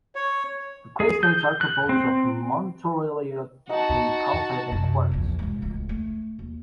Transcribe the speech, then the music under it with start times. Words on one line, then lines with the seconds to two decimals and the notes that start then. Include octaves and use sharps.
The claystones are composed of montmorillonite with calcite and quartz.
0.15 C#5
1.00 G#4
1.23 G6
1.61 F#6
1.89 C4
3.69 D#4 F#4 F#5 A5
4.72 F#2 C3
5.11 A#1 E2
5.39 B1 G#2
5.62 D1 C#2
5.89 A3
6.39 D#2